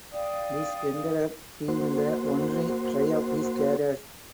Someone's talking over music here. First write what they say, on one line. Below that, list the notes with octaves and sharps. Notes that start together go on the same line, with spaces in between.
This ended up being the only try of his career.
D5 F5 G5 D#6
A#3 F#4 C5